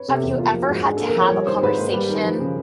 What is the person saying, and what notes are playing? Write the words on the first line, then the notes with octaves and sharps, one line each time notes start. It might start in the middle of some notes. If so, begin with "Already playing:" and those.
have you ever had to have a conversation
Already playing: B4 C#5
C3 A4
E2 G4
A#3 F4
F3
F#4
G#2
D4 G#4
A4
A#3
A#4
F3 C#5
G3 C#5
D#3 C5
G#2 B4
A#3 C5
G3 B4
D#3 A#4
F3
C#3